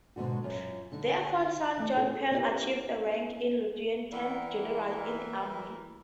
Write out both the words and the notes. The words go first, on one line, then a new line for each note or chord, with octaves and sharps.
Their fourth son, John Peel, achieved the rank of Lieutenant-General in the Army.
G#2 B2 D3 F#4
F#2 F4
D3 D#4
E3 A3
C#4 F4 G#4 A4
B3 C#4 E4 G4 A#4
E3 A#4 D5 F#5 G5